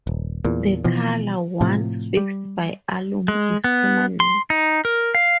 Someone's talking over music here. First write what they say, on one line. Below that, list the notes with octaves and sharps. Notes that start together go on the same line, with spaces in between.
The colour, once fixed by alum, is permanent.
D#1
E2 A#2
B2 E3 F3
A2 C3 F3
G3
G#3
B3
C6
D#4
A#4
F5